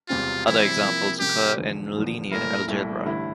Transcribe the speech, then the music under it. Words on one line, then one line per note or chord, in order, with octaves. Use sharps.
Other examples occur in linear algebra.
E1 E2 C3 G3 C4 F4
E1 E2 C3 G3 C4 E4
C3 F3 A#3
C3 F3 A#3 G4
E1 E2 D3 F3
E1 E2 D3 F3
C2 A#2 A3 E4 A#4
C2 A#2 A3 E4
A1 G2 D3 A3 E4